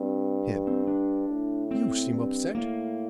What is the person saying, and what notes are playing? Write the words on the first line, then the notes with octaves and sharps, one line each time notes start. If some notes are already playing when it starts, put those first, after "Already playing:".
HIM: You seem upset.
Already playing: G2 C4
C4
D4
A2
C4
G2
A2 A#3